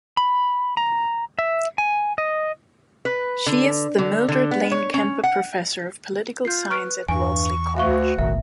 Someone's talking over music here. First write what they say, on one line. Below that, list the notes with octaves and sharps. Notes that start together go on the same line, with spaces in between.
She is the Mildred Lane Kemper Professor of Political Science at Wellesley College.
B5
A#5
E5
G#5
D#5
B4
D3
D3
D3
B3
C#5
C#4
F#5
F4 G6 C7
B4 C#6 F6 D7
E2 G2 G#5 C#6
D2 F#4 E5 F5 C#6
F#1 B1 A2 D#3 E5